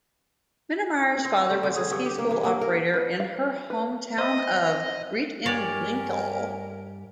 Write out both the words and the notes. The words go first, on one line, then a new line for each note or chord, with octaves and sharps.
Mittermaier's father was a ski school operator in her home town of Reit-im-Winkl.
C4
A3
D3
G#4
G2
G4
A#3
E3
A#3
A#4
B4
F5
B4
C5 D#5 E5
G2 G4 A#4 C#5 D5 G#5